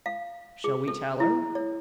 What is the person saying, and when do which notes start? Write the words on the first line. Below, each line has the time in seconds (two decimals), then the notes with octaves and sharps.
"Shall we tell her?"
0.06 F5
0.64 G#4
0.88 A4
1.20 E4
1.55 C#5